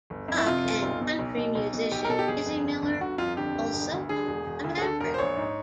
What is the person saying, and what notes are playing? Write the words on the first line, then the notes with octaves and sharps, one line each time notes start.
Rock and country musician Izzy Miller also owns a Maverick.
G1
F2
E4
C3 F4
G1
B1
B2
B1
B2
B1
B2
B1 G4
A#4
B2 A4
G4
G1 G#4
F2
D3
G1
G1 F#4
F2 F4
D3 G4
G1
E1
D2
D3 G#4
E1
E1
D2
G#4
D3 A4
E1 A#4
C5
A#1 C#5
G#2